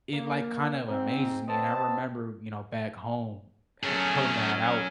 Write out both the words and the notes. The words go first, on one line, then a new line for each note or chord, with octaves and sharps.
it, like, kind of amazes me, and I remember, you know, back home ha pulling that out,
A#3
G#2 C4
B3 C4 D#5 A5
F#3 A3 C#4 G#4